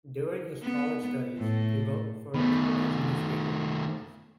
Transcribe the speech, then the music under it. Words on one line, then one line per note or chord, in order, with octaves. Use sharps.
During his college studies, he wrote for a Turkish newspaper.
B3
A2
D#3 A3 B3